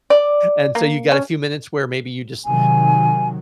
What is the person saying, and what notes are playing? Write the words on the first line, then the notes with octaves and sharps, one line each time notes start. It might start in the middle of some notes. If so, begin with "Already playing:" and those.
And so, you got a few minutes where maybe you just
D5
A#3
C#4
C3 D#3 F#3 G#5